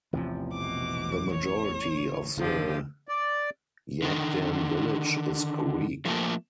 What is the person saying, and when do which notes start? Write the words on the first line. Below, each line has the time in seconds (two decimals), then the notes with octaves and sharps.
The majority of the Yaghdan village is Greek.
0.13 A1 E2 C3 F3
0.54 B2 D6
1.33 C#5
2.37 F#1 G#2 D3 F3 G4
3.08 D5
4.02 D3 D#3
6.05 F3 A3 A#3 A4